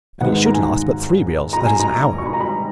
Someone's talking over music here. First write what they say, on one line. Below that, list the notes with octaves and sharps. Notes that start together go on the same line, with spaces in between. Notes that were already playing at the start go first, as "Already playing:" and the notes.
And it should last but three reels, that is, an hour.
G#2 D#3 G#3 B3 D#4 F#5
A#5
G#5
A#5
G#5
A#5
C#6
B5
A#5
B5